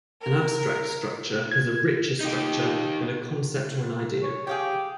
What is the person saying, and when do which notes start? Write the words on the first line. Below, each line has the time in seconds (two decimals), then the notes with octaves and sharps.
An abstract structure has a richer structure than a concept or an idea.
0.22 A#4
1.51 G#6
2.21 D#4 G4
4.23 C#5
4.47 G4 G#4 F5 G5